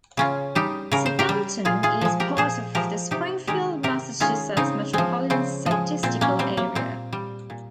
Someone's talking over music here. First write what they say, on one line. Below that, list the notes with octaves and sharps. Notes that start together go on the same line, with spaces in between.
Southampton is part of the Springfield, Massachusetts Metropolitan Statistical Area.
C#3 C#4 F4
G3 D#4 G4
C#3 A#4
C5
G4 A#4
G3
A#2 F4 G#4
F4 G#4
F3 G#3
G4 A#4
A#2 G#4 C5
F3 G#3 G4 A#4
C3 D#4 G4
D#3 G#3 G4 A#4
C3 G4 A#4
D#3 G#3 C#4 F4
C#3 C4 D#4
F3 G#3 C4
C#3 C4
F3 G#3
A#2 C4
A#3 C#4
G3 C4
A#3
A#2 C4
G3
A#2